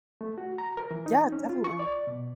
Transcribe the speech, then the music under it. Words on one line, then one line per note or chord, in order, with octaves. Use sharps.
yeah, definitely.
A3
F#4
A#5
A#4
E3
D#4
C#4
F4
C#6
D5
B2